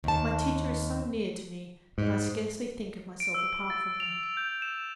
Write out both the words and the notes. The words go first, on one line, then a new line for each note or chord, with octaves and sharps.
My teacher is so near to me that I scarcely think of myself apart from her.
D#2 A5
G#2
D7
E6
A6
F7
F7
G6
E7